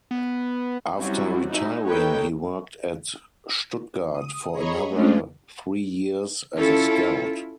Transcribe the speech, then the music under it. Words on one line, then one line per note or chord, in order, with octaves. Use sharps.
After retiring, he worked at Stuttgart for another three years, as a scout.
B3
F#3 G3 C4 C#4 E4 F#4
D#4 E4 F#4
A#3 D#4 A4 B4 C#5 G5
D#6
G#4 C#5 D#5 A#5 B5 C#6
G#3 A3 C#4 D4 F4
C#4 E4 F4 A4